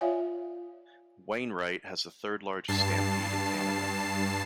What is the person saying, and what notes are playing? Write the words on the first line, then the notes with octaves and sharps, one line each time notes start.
Wainwright has the third-largest stampede in Canada.
F4 C#5 D5 E5 F5 G#5
G2 A5 C7